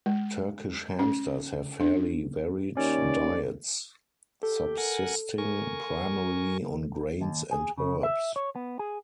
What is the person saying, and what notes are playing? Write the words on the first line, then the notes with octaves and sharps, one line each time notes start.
Turkish hamsters have fairly varied diets, subsisting primarily on grains and herbs.
G#3
C#4
D4
D#2 C#4 D5
G4 A4
A#4 F#5 G#5
A#4 G#5 C#6
D#2
G#4
C#3
E5
C#5
B3
G#4